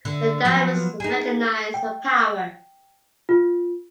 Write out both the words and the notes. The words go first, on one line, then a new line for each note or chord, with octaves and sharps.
The divers recognize a power.
D3
F3 F#3 B3
D#4 G#4
G5
F4